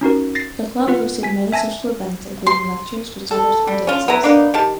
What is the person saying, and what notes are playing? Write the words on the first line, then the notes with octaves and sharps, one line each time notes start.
The Club hosted many social events, including lectures, recitals, and dances.
C#4 D#4 F#4 A#4
A6 A#6 C7
B3 F4 B4 F#5
G#5 B6
E5 G#5 A5 A#6
C6
A4
G3
C#4 F4
B3 E4 A#5
A#3 B3 D4 D#4
D#3 G4 A5